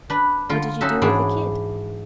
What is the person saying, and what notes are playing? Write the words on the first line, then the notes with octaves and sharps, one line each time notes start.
'What did you do with the kid?'
D4 B4
D3 F4
C#4 D#4 F#4 A4 E5
G#2 E3 D4 G#4 C#5